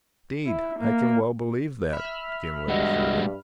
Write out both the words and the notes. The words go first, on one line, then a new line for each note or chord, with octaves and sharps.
"Indeed, I can well believe that," Gimblet assured him.
E4
A#3
E5 B5 F6
G2 G3 G#3 F#4 D#5